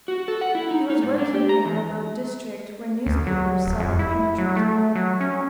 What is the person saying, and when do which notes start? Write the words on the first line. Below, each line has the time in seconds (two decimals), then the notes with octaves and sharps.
He was working in a remote district where newspapers seldom penetrated.
0.08 F#4
0.28 A4
0.41 F#5
0.55 E4
0.71 D#4
0.90 D#4
1.02 G#2
1.18 D4
1.34 G4
1.49 A#5
1.65 E2
3.06 D2
3.27 F#3
3.66 D1
3.80 F2
3.99 E4
4.38 F#3
4.56 A3
4.95 F#3
5.21 C#4